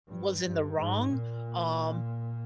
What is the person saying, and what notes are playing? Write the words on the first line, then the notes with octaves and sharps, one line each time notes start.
was in the wrong, um,
G2
G2
G#2
A#2